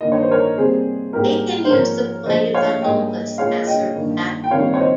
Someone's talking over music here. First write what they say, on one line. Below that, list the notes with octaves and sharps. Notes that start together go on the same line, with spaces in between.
Aiken used the plight of the homeless as her platform.
G2 D#3 A#3 D#5
C#5
C5
A#4 C#5
C3 G3 A#3 G#4 C5
G#2 G3 A#3 G4 A#4
C5
G#2 F3 A#3 A#4 C#5
A#2 F3 G#3 C5 D#5
C#5 F5
G#2 G3 A#3 D#5 G5
A#2 G#3 C#5 F5
D#5 G5
G2 D#3 A#3
G5
F2 D#3 G3 A#3 C#5 F5
C#5
C5 D#5